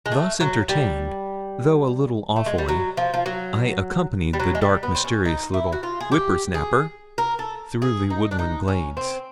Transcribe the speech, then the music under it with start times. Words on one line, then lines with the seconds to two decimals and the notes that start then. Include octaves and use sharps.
Thus entertained, though a little awfully, I accompanied the dark mysterious little 'whipper-snapper' through the woodland glades.
0.06 G#3
0.12 A3
0.40 F#3
0.69 G3
2.36 A3
2.46 G#3
2.58 G3
2.69 F#3
2.97 F3
3.14 F3
3.26 F#3
4.33 G3
4.40 F#3
4.55 G#3
4.62 G3
4.83 B3
4.95 C4
5.04 C#4
5.25 D#4
5.54 E4
5.72 F#4
5.83 F4
6.01 G#4
6.12 G4
6.54 G#4
7.18 A#4
7.39 A4
7.82 G#4
8.10 D#4
8.31 D4
8.39 D#4
8.68 C#4
8.97 C4